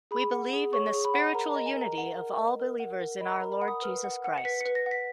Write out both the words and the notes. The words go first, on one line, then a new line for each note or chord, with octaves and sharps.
We believe in the spiritual unity of all believers in our Lord Jesus Christ.
G#4 B5
F#5
G#4
C#5 C#6
G#4
B5
F#5
A#4 A#5
D#5 A#5
G#5
A#4
A#5
F#5
A#4
D#5
A#4
F#5
A#4
D#5 B5
A#5
A#4
B5
F#5
D#6
B4 F6
F#5
F#5
C#7
B4 B6
C#7
B4
A#6
F#5
B6